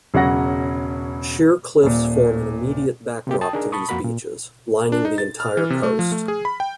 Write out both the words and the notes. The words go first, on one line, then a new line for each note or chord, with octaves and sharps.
Sheer cliffs form an immediate backdrop to these beaches, lining the entire coast.
E1 C#3 F#3 C#5 F#5 A#6
D#1 A#2
C3 A#3 G4
G5 A5 D#6
D4 D#4 G#4 A#4
A5 B5 C#6 D#6
F2 A#3 F#4 A#4 B5
A#2
D4
D#4
A6
F6
E3
C3
A3
F3
A3
G#4
B5
G5